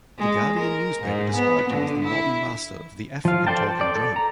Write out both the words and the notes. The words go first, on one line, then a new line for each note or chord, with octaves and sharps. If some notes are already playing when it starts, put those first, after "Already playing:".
The Guardian newspaper described him as the Modern master of the African talking drum.
G#3
A#4
G#2
B3
D3
E4
F3 F5
A4 C5 D5 G5 A5
D5
A4
A#5